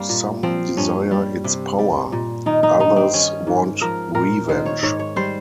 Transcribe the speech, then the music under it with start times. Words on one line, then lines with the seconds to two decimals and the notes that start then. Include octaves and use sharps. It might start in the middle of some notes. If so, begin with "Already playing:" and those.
Some desire its power, others want revenge.
Already playing: G2 G3 A#3 C4
0.09 A#2
0.43 F3 C4
0.77 G2 C#4
1.11 G3
1.44 C3
1.79 G3
2.12 A#2
2.46 D#3 D#4
2.63 D#4
2.80 G2 D#4
2.97 C4
3.13 D#3 C#4
3.47 G#2
3.81 F3 A#4
4.15 A#2 A#4
4.49 D#3 C5
4.66 C#5
4.83 G#2 C#5
4.99 C#5
5.16 G3 C5